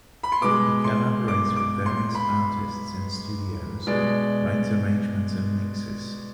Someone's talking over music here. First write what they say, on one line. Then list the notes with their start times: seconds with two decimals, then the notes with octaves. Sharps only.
He collaborates with various artists in studios, writes arrangements and mixes.
0.23 B5
0.32 C6
0.41 B2 G#3 D6
0.84 C6
1.28 D6
1.56 D6
1.86 C6
2.15 B5
3.87 B2 G#3 D5